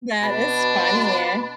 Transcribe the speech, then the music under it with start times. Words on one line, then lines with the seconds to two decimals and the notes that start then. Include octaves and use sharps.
Yeah, that is funny.
0.22 B2 D4 B5